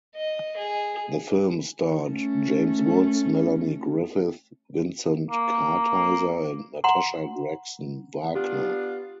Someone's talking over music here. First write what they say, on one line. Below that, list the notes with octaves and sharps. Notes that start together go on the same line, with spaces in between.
The film starred James Woods, Melanie Griffith, Vincent Kartheiser and Natasha Gregson Wagner.
D#5
G#4
A3 C#4
A#3
F#5 A#5 C6
B3 D4 F4 G4